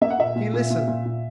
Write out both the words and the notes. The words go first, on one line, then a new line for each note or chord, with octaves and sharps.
He listened.
A#3 E5
F#5
A#2 E5
A#2
A#2
A#2
A#2
A#2